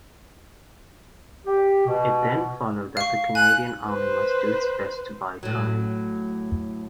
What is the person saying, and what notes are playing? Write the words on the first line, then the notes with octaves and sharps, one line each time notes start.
It then followed that the Canadian Army must do its best to buy time.
G4
B2
F5 C#6
G#5 F#6
B4 C5
A2 F#3